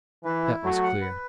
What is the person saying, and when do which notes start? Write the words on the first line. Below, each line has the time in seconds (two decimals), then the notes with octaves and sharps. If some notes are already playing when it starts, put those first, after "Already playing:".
That was clear.
0.24 E3 B4
0.44 E4
0.63 F#3 A3
0.83 F#5
1.01 B4